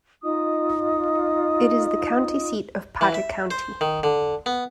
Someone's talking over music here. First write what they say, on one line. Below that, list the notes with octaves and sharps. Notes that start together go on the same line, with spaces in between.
It is the county seat of Potter County.
D#4 F4 D#5 D#6
E3
E5
C5
D#3
D3
B3